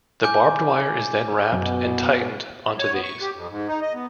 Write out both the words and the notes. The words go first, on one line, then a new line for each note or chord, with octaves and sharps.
The barbed wire is then wrapped and tightened on to these.
G#5 D6 G6
F#2 B2
C#5
B3
C#6
G4
F2
G#2
D#4
D#5
B3